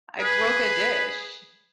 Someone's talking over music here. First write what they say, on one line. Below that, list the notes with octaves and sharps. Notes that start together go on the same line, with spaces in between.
I broke a dish.
G#4 B4